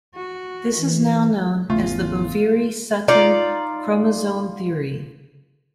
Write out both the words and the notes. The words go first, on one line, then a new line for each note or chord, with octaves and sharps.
This is now known as the Boveri-Sutton chromosome theory.
F#4
E3
G#1 E2 C#3 A3 F4
D#4 F4 D5 A#5